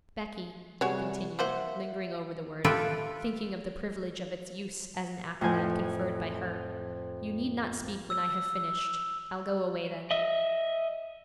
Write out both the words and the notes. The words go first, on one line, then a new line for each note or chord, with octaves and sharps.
'Becky,' he continued, lingering over the word, thinking of the privilege of its use as an accolade conferred by her, 'you need not speak when I have finished; I'll go away then.'
C3 G3 F#4 G#4 C#5
A#3 C5 E5 F#5
F4 G4 A4 B4 E5 G5
F2 A2 F3 G#5 G6
E6
D#5 E5